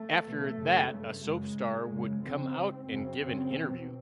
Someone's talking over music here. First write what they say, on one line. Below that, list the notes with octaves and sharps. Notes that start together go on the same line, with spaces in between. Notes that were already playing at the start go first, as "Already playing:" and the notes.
After that a soap star would come out and give an interview.
Already playing: A3
E2 B2
F#2 C#3
G2 A3
F#2 C#3 G#3
G#2
F#2 C#3
F2 C#3 C4
G#2
F#2 C#3 C4
F#2 C#3
E2 B2